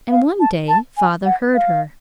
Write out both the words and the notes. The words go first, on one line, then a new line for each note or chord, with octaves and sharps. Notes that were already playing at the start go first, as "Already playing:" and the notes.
And one day father heard her.
F5
A5
A5
G#5
F#5
F5